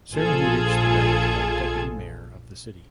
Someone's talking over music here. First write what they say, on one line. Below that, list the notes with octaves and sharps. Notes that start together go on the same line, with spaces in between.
Soon he reached the rank of deputy mayor of the city.
A#1 F4 G#4 A4 G#6